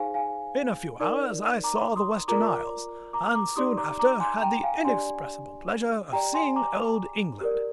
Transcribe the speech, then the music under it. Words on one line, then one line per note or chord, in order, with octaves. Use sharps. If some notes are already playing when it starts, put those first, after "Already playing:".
In a few hours I saw the Western Isles, and soon after had the inexpressible pleasure of seeing Old England.
Already playing: D#4 G#4 C5 F5 G#5
F5 G#5
D#4 A#4 D5
A#5 D6
C6 D#6
F4 A#4 D5 A#5 D6
A#5 D6
A#5 D6
D#4 G4 D5 C6 D#6
A#5 D6
A#5 D6
G#5 C6
G5 A#5
F5 G#5
D4 G4 D5 G#5 C6
G4 D5 G5 A#5
G#5 C6
A#5 D6
G4 A#4 D5